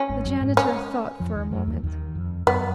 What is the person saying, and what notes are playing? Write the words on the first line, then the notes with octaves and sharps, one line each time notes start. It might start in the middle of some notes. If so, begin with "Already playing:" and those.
The janitor thought for a moment.
Already playing: C#4
G#1 G#2
F#2 F#3
G#2 G#3
C#4
F2 F3
D#2 D#3
F#2 F#3
D#2 D#3
F3
D#2 D#3
F2
F#2 B3